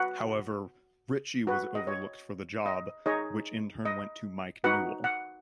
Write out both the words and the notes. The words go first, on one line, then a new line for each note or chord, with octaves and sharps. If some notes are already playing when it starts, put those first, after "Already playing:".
However Ritchie was overlooked for the job which in turn went to Mike Newell.
Already playing: F#4 B4 F#5
F#4 B4
D#5
C#5
D#5
D#4 G#4 C#5 D#5
D#5
D#4 F#4 B4 F#5
F#5